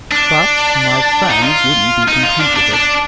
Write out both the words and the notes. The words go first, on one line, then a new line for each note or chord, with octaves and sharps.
But my friend wouldn't be content with it.
D4
D#4
F4
D#4
F4
D4
D4
D4